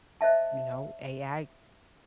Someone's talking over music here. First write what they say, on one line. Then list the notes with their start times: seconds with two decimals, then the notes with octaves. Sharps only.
you know, AI
0.21 C5 D#5 E5 A5